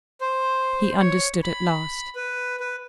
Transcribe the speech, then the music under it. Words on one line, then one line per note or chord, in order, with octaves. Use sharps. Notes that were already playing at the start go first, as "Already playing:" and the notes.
He understood at last.
C5
C#5
B5
B4
B4